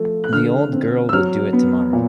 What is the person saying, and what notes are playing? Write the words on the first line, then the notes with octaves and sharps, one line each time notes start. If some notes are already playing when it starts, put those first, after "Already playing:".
The old girl would do it tomorrow.
Already playing: F3 A3
F#6
D3 F6
C4
E6
F#3 F6
B3
A#2